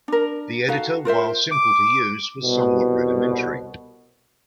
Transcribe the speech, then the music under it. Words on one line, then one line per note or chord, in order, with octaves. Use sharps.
The editor, while simple to use, was somewhat rudimentary.
D4 A#4
D#4 F#4 A4 F5
F4 A#4 C5 E5
D6
C2 B2